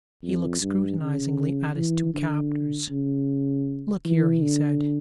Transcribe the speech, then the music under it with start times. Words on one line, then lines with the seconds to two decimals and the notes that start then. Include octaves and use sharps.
He looked scrutinizingly at his two captors. "Look here!" he said.
0.23 F2
0.61 G2
1.00 C#3
1.76 E3
2.14 D3
2.91 C#3
4.05 E3
4.43 D3